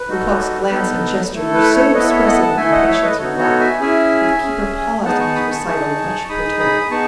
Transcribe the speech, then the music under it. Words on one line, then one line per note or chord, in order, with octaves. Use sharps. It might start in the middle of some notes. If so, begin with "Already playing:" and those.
Lecoq's glance and gesture were so expressive of impatience and wrath that the keeper paused in his recital much perturbed.
Already playing: B4
D#4 F#4 A4
B3 D#4 A4
A3 E4 A4
B4
A4 C#5
B3 E4 A4 B4 D#5
C#5 E5
D#5 F#5
F#5 A5
A3 E4 A4 E5 G#5
D#5 F#5
C#5 E5
B4 D#5
B3 D#4 F#4 A4 C#5
A4 C#5
E5 G#5
C#4 E4 G#4 E5 G#5
C#4 G#4
B3 D#4 G#4 F#5 A5
A5 C#6
B5 D#6
A5 C#6
D#4 G#4 A5 C#6
D#4 G#4 B5 D#6
B5 D#6
B3 D#4 G#4 A5 C#6